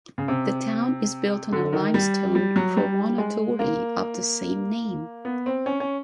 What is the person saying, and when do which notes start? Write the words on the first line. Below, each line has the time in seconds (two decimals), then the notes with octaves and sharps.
The town is built on a limestone promontory of the same name.
0.18 C#3
0.28 C3
1.52 D3
1.73 D#3
1.94 G3
2.35 G3
2.56 F#3
2.77 G3
3.18 G#3
3.59 A#3
5.25 B3
5.46 C4
5.66 C#4
5.80 C#4